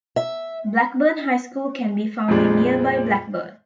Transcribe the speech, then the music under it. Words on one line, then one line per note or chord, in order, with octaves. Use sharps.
Blackburn High School can be found in nearby Blackburn.
E5
F2 A#2 F3 G3 G#3 D4